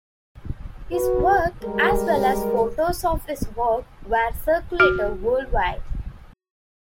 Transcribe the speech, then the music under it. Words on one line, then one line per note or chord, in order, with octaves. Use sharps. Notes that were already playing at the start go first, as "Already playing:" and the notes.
His work as well as photos of his work were circulated world wide.
F#4 B4
G3 G#3 G4 A#4
F#4 F6